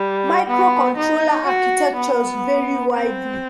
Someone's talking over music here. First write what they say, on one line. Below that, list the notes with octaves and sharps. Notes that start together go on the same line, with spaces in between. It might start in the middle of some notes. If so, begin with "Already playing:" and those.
Microcontroller architectures vary widely.
Already playing: G3
B3
D#4
F#4
B3
C4